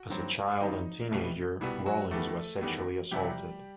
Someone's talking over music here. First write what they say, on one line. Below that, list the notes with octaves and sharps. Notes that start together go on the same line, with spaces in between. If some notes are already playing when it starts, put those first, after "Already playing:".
As a child and teenager, Rollins was sexually assaulted.
Already playing: F#4
G2 D#3 F#3 C4
G2 D#3 F#3 C4 D#4
C2 B2 G3 B3
C2 B2 G3 B3 E4
F#3 F#4
E2 D#3 G3 A3 B3 A4
E2 D#3 G3 B3
E2 C3 F#3 G3 G4